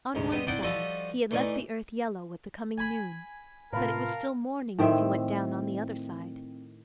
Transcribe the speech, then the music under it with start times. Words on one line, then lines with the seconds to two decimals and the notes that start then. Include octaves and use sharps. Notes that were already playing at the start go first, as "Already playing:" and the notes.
On one side he had left the earth yellow with the coming noon, but it was still morning as he went down on the other side.
0.15 D2 G#2 C3
0.32 G3 B3 C4 D#5
0.47 C4 D#4 E4 D5 F#5 G5
0.63 F3 G3 F#4 A4 D#5
1.31 E3 A3 D4 D#4
2.78 G#5 B5
3.73 A2 C3 C4 F4 A#4 B4 F5 A5
4.79 A2 D#3 C4 E5